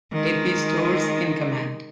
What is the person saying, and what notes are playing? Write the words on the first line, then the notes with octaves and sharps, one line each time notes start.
A. P. Storrs in command.
D#3 G#3